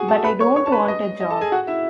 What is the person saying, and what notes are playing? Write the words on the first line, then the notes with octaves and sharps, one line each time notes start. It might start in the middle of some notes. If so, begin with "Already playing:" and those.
But I don't want a job.
Already playing: F#4 G#4 F#5 G#5
A4 A5
B4 B5
C#5 C#6
C#5 C#6
A5
B4 B5
D#5
D#5
A4 A5
G#4 G#5
F#4 F#5
E4 E5